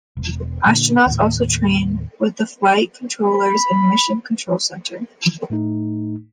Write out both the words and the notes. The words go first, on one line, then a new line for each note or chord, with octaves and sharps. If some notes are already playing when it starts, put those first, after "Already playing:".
Astronauts also train with the flight controllers in the Mission Control Center.
E1
A#2 D3
D#2 A2
B5
A2 A3 D#4